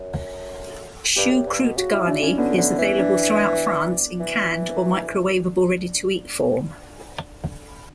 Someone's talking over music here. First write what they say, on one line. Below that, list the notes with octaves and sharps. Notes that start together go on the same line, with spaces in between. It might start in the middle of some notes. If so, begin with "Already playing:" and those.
"Choucroute garnie" is available throughout France in canned or microwavable ready-to-eat form.
Already playing: F#2
G2 G4
F#2
G2
B2
C#3 F#4
E4
D4
C#4
D3 B3
D3
E3
D4
E3